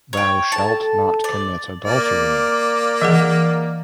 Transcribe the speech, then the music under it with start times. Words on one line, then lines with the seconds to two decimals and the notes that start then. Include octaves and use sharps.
Thou shalt not commit adultery.
0.13 C#5 G5
0.52 A4 A5
1.24 D5
1.84 A#3 D5
3.02 E3 G#4 F#5